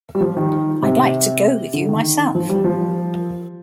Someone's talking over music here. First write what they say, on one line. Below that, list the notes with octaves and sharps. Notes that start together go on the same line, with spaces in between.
I'd like to go with you myself.
G3
F3
D#3
C3
D3
D#3
F3
G3
F3